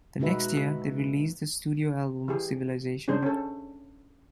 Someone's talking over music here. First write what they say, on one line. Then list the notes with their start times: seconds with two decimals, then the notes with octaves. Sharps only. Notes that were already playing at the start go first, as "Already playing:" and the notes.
The next year, they released the studio album "Civilization".
0.19 B2 G#3 D#4 F#4 B4 E5
2.28 E3 G4 G#4
3.08 C#4 D4 G#4 C5
3.22 C#4 A4